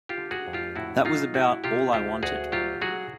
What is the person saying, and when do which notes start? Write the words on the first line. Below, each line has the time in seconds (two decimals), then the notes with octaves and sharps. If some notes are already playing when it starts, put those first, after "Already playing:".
That was about all I wanted.
0.09 F4 G4
0.17 D3
0.31 F#4 G#4
0.47 F2
0.53 F4 G4
0.75 A2 E4 F#4
1.05 F#3 D#4 F4
1.34 A2 E4 F#4
1.64 C3 F4 G4
1.93 D2 F4 G4
2.23 D2 F#4 G#4
2.52 F#3 F4 G4
2.81 F#3 F#4 G#4